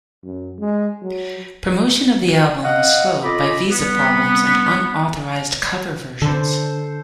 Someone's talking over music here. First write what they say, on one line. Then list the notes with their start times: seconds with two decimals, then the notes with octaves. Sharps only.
Promotion of the album was slowed by visa problems and unauthorized cover versions.
0.23 F#2
0.59 G#3
1.02 F#3
2.64 D#5 F5 F#5
3.23 F4 A4 D#5 B5 D6
3.70 G3 B3
6.22 D3 A4 C5